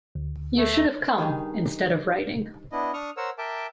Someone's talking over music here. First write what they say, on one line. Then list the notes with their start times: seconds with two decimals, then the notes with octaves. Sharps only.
You should have come, instead of writing.
0.15 D2
0.57 A3
1.18 G2 D#3 D#4 G#4
2.72 B3 D4 E4 D#5
2.93 D4 C#6 D#6 F6
3.17 A#4 C5 C#5 F#5 E6
3.38 A#4 E5 G5 A5 D6